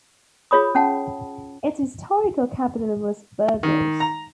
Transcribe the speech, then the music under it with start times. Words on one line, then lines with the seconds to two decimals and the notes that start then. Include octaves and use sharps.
Its historical capital was Burgos.
0.51 F4 G#4 C#5 B5 D#6
0.75 C#4 F#5 A5
3.63 D#3
4.00 A#5